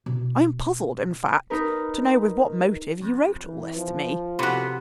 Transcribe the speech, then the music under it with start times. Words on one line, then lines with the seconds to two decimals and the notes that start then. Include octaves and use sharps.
I am puzzled, in fact, to know with what motive you wrote all this to me.
0.06 B2 E4
1.50 D#4 A#4 B4
3.00 C2 F2
3.46 E3
3.77 F3
4.39 C3 B3 F#4 A4 B5